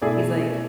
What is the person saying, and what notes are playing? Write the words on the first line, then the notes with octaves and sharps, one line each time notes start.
He's, like,
B2 A3 E4 G#4 D5